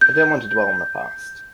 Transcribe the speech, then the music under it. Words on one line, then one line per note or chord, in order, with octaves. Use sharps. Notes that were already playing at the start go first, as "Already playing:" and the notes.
I don't want to dwell on the past.
G6